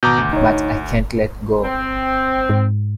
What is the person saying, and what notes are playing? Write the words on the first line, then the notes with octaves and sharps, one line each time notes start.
But I can't let go.
G#1 B2 A#5 D6 G6
D2
D#4 C#5
C4
G#2